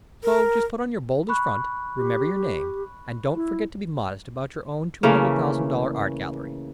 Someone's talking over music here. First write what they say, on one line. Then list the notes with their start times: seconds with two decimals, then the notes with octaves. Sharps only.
So just put on your boldest front, remember your name, and don't forget to be modest about your own two-hundred-thousand-dollar art gallery.
0.24 A#4
1.29 B5 C#6 F#6
1.96 G4
3.34 E4
5.03 C#3 E3 A3 A#3